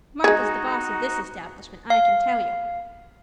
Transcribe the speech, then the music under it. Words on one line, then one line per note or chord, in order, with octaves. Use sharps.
Martha's the boss of this establishment I can tell you.
G#3 D#4 F#4 G#4
F5